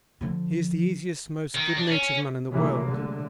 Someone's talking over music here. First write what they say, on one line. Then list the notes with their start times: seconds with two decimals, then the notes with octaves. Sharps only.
He is the easiest, most good-natured man in the world.
0.21 D3 F3
1.55 D#3
1.77 D4
1.91 C#4
2.50 C2 C#3 E3 F#3 A3 A#3
2.84 A2 D3 G#3